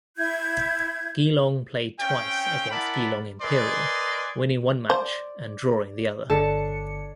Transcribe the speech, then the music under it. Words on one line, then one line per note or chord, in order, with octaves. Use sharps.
Geelong played twice against Geelong Imperial winning one match and drawing the other.
E4 G6 G#6
C4 C#4 F5 G5
E4 A#4 D5 F#5 A5 B5
A#4 B4 D5 D#5 G#5 C6
C5 D5
G1 D3 D4 A4 C#5 C#7